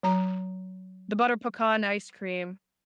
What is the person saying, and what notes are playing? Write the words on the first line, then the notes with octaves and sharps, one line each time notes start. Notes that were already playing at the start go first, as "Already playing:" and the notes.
the butter pecan ice cream.
F#3 A#5